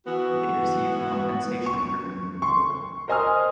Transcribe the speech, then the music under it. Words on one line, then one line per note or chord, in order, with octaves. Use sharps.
They received compensation for meeting the quota.
E3 B3 F#4
C#6
C6 C#6
A#4 C5 D#5 G#5 D#6 F6